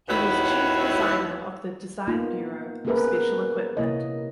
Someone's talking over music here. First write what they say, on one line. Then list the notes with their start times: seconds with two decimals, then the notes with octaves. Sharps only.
He was chief designer of the design bureau of special equipment.
0.09 D#2 B3 E4 F#4 C#5
2.07 A#3 B3 D#4 F4
2.85 A#3 B3 C#4 G#4 A#4 B4
3.77 C3 A#3 E4 C#5 D#5